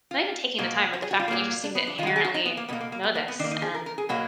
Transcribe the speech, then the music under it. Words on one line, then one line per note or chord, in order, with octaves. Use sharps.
not even taking the time, but the fact that you just seem to inherently know this and
F4
B2 F#3 A#3
F#4
G#4
F#4
F4
A#2 F#3 A#3
D4
B3
D4
D#3 G#3 F4 F#4
G#4
F#4
D#4
B3
A#3
B2 A#3 B3
A#3
A#3
B3
A#3
B3
D#3 A#3 D4
D#4
G#4
A#4
A#4
G#4
B2 F#3 A#3 F#4